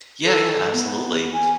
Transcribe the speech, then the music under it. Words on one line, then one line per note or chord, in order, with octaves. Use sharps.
Yeah, yeah, absolutely.
A4
A4
B3
G#5